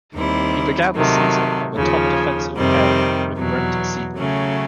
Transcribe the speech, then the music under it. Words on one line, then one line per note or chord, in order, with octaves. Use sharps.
He began the season on the top-defensive pairing with Brent Seabrook.
D#2 D#3 G3 C4 E4
C3 D#3 F#3 A3
D#2 C#3 F3
F2 C3 D#3 G3 C4
E2 B2 F#3
C#3 F#3 A3 C#4